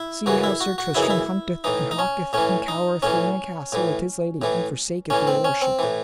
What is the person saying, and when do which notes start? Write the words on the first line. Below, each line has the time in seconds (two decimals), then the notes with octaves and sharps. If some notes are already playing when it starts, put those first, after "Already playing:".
See how Sir Tristram hunteth, and hawketh, and cowereth within a castle with his lady, and forsaketh your worship.
Already playing: E4
0.26 F#2 C#3 E3 F#4
0.43 E4
0.61 F#4
0.78 F#4
0.95 F#2 C#3 E3 E4
1.02 D#4
1.10 E4
1.64 A2 E3 D#4
1.91 D#4
1.99 C#4
2.33 A2 E3 C#4
2.68 D#4
3.02 A2 E3 C#4
3.72 A2 E3
4.42 A2 E3
5.10 A2 E3 C#4
5.27 C4
5.44 C#4
5.62 C4
5.79 A2 E3